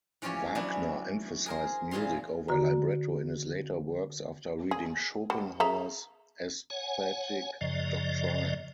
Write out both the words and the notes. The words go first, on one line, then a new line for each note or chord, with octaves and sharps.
Wagner emphasized music over libretto in his later works after reading Schopenhauer's aesthetic doctrine.
E3 F3 C#4 G4 C#5
E3 F#3 B3 C#4 D4
G#4 A#4 C5
A#2 E3 G#4 F5 C6
D3 F#4 A#5
G#4
G3 F#4
G#4 E5 A#5
C#5 F#5 G#5
F#2 C#3 F3 D5 D#5